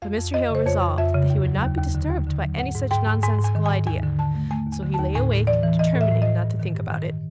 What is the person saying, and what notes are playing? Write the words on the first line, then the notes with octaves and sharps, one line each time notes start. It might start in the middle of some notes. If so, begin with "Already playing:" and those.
But Mr. Hale resolved that he would not be disturbed by any such nonsensical idea; so he lay awake, determining not to think about it.
F2 F5
F2
F2 D#5
C#3 C5
F2 C#5
F2
F2 E5
C#3
D#2
F#3
D#2
D#2
D3
D#2
D3
F#3
G#2 F#5
G#2
G#2 G5
G#2
G#2 G#5
G#2
G#5
D#3
G#2 G#5
D#2 G#5
D3
D3 A5
A3
A3 G#5
D#2
G#5
D3
A5
D#2
A2 G#5
A2
E3 D5
E3
E3 D#5
A2
E5
A2
D#5
A2
G2
D#3
G2
D#3